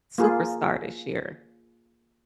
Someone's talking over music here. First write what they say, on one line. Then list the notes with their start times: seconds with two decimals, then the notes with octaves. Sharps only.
superstar this year.
0.18 A#3 F4 G#4